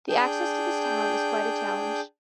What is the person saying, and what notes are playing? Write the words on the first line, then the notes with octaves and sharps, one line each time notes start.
The access to this town is quite a challenge.
D4 G#4 G5 G6